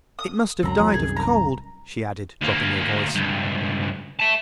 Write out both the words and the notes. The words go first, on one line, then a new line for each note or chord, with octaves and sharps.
It must have died of cold,' she added, dropping her voice.
D#6
C#2 F#2 F#3 C4 A#5
E2 E3 F#3
C2 F#2 D#3 G#4
A#5
D2 A#3
C#2 G2
E5 A5